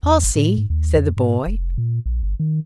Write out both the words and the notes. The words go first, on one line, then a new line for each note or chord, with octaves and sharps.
"I'll see," said the boy.
E2
G1
A2
G#2
D#2
F2
G#2
F1
A#2
A#1
G1
D#3